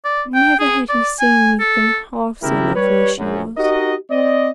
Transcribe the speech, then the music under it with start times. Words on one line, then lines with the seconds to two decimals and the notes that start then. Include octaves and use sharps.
Never had he seen anything half so lovely as she was!
0.05 D5
0.34 G5
0.59 G#4
0.89 D5
1.20 G#5
1.60 A4
2.43 G#1 E2 C#3 E4 G4 A#4
2.75 G3 B4 C#5
3.18 A#1 F#2
3.57 D#4 F#4 G4 A#4 D#5
4.10 C4 D5 D#5